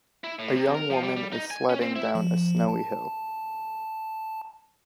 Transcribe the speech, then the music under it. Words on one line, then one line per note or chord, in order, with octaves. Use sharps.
A young woman is sledding down a snowy hill.
E4
A2
C3
A#4
F3
G3
G3
D#4
G#5
C#4
C4
E4
F3
A5